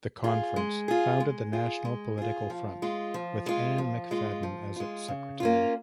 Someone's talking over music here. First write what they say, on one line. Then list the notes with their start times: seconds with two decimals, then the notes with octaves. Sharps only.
The conference founded the National Political Front, with Anne McFadden as its secretary.
0.24 F4 G#4
0.56 G#3
0.88 F4 G#4
1.20 G#3
1.53 F4 G#4
1.85 G#3
2.18 F4 G#4
2.50 F3
2.82 G#3 F4
3.14 F3
3.46 G#3 F4
3.78 F3
4.11 G#3 F4
4.43 F3
4.76 G#3 F4
5.08 C#3
5.40 A#3 C#4 F4